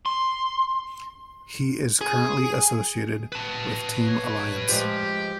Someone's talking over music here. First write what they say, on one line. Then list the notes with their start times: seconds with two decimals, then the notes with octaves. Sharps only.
He is currently associated with "Team Alliance".
0.06 C6
2.01 G#4
3.32 B4 A5
4.09 C#5
4.69 F3 G#3 G4